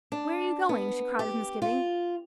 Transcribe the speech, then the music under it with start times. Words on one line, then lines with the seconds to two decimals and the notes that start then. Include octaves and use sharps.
"Where are you going?" she cried with misgiving.
0.12 D4
0.69 B3
1.19 G4
1.62 F4